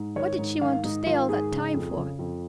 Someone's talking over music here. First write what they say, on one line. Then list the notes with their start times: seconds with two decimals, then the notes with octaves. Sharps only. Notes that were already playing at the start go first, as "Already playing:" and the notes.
What did she want to stay all that time for?
Already playing: G#2
0.16 D#3 C#5
0.38 G#2
0.61 D#3 F5
0.83 G#2 D#4
1.06 D#3 F4
1.29 G#2 G#4
1.52 C#3
1.74 F2
1.97 C#3
2.19 F2